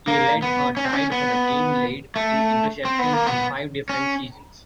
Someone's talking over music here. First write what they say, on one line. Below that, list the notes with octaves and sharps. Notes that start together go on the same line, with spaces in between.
He led or tied for the team lead in interceptions in five different seasons.
A#3
B3
C#4
C4
C#4
B3
A3
C4
B3
A#3
B3
C#4